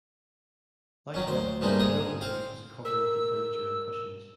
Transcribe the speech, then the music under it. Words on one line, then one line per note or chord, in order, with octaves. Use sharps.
Like duck, drill is used as a covering for furniture and cushions.
D#3 F#3 C#4
D2 C5
G2 C3 G#3 A#3 D4 D#4
G#2 G#4 D#6
C4 F5
A#4 E6